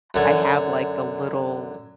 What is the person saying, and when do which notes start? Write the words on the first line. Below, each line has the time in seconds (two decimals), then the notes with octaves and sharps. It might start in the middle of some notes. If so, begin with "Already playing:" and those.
I have, like, the little,
0.14 F#2 D3 G#5